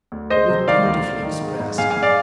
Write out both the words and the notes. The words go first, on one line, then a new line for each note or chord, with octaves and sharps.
It was beautifully expressed.
D2
G#3 C5 D#5
C3
D#3 D5 F5
D2
D2
D#3
G#2
G#2
G#2 F5 G#5
F5 G#5
G#2
D5 F5